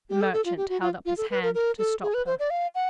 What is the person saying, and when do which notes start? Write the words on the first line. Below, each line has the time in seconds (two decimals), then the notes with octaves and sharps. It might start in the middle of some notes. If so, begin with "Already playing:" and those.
The merchant held up his hand to stop her.
0.10 G4
0.21 A4
0.33 A4
0.45 F4
0.57 G4
0.69 F#4
0.81 F4
1.06 F4
1.18 A4
1.31 B4
1.43 A#4
1.55 A#4
1.78 A4
2.03 G#4
2.14 B4
2.26 C5
2.39 D5
2.50 F5
2.75 F#5